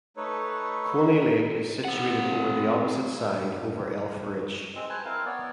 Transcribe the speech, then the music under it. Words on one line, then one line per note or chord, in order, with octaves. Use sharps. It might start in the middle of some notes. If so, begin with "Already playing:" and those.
Coney Lake is situated over the opposite side over Elf Ridge.
A3 D#4 A4 B4 C#5
C4 F#5
G#3 C4
B4 C5 G#5 A5
C4 E4 A#4 F5
B3 C#5 D5